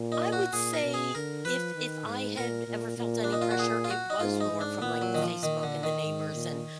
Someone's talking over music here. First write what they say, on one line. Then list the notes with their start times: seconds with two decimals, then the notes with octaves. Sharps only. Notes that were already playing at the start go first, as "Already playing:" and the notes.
I would say, if if I had ever felt any pressure, it was more from, like, the Facebook and the neighbors and,
Already playing: A#2
0.12 D#4
0.33 F#4
0.53 A#2 G#4
0.73 A#4
0.84 B2
0.94 G#4
1.15 D3 A#4
1.45 F3 B4
1.75 D#3
2.06 G#2
2.37 A#2 A#4
2.68 A#2
2.98 A#2
3.24 D4
3.32 D#4
3.42 F4
3.51 F#4
3.59 G#4
3.84 F4
3.90 F#4
4.10 D#4
4.20 G#2 F4
4.40 D#4
4.51 G#2
4.61 D4
4.81 A#2 B3
5.02 F#3
5.15 D#3
5.22 F3
5.42 A#2 D#3
5.63 D3
5.83 D#3
6.03 G#2
6.35 A#2